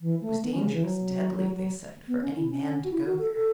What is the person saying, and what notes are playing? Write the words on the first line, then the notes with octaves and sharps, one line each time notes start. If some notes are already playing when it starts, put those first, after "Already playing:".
It was dangerous, deadly, they said, for any man to go there.
E3
A3
B3
C#4
C#3
E3
F#3
B3
C#4
E4
C#4
F#4
E4
F#4
A4
A4